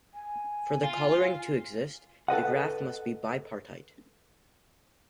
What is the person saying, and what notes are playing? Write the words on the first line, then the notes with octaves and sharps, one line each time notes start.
For the coloring to exist, the graph must be bipartite.
G#5
F4
A4 B4 D#5 F#5